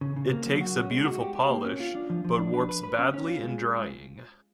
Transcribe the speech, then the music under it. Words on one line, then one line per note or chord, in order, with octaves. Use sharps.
It takes a beautiful polish, but warps badly in drying.
C#3
C#3
A#3
F#3
F#4
C#4
G#3
F#4
G4
G4
A#3
C#4
F4
D4
F3
F3
D4
B4
B4
B4
C#4
C#4
F4
G#3